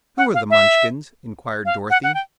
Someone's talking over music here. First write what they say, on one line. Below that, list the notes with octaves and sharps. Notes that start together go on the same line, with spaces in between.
"Who are the Munchkins?" inquired Dorothy.
F#5
F5
E5
F5
F#5
F#5
G5